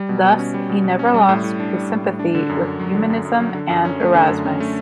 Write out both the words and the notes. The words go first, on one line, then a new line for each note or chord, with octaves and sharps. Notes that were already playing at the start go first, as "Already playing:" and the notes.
Thus he never lost his sympathy with humanism and Erasmus.
Already playing: G3
B2
B2
C#4
G3
B2
B2
C#4
G3
A2
A2
D4
G3
A2
A2
D4
D3
F#2
F#2
F#3
D3
F#2
F#2
F#3
D3
F#2
C#4
A3
D3
F#2
C#4
A3